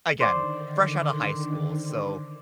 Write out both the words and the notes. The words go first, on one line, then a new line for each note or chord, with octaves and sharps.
again, fresh out of high school. So,
D3 D#3 C5 D5